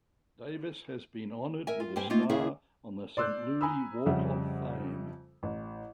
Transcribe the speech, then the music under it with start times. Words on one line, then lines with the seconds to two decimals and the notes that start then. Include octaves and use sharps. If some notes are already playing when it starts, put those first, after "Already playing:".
Davis has been honored with a star on the Saint Louis Walk of Fame.
1.67 A#4 E5 G#5
1.80 F4
1.96 G2 G4 C5 G#5
2.10 A3 A#3 D#4 F4
2.29 D#2 E4 G#4 F5
3.17 D5 C6 E6 F#6 G6
3.61 G#5 A#5 B5 D#6 E6
4.06 F2 C#3 G3 E5 F#5
5.43 A1